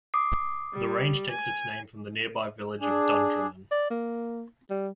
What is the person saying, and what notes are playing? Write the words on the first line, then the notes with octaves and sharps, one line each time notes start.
The range takes its name from the nearby village of Dundrennan.
D6 D#6 C7
G3
G#5
D4 G#4
D5
A#3
G3